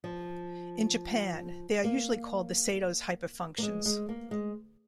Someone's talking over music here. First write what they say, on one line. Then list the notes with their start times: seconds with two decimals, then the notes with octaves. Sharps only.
In Japan, they are usually called the Sato's hyperfunctions.
0.04 F3
1.84 A#3
3.58 A#3
3.63 G#3
3.86 G#3
4.09 A#3
4.31 G#3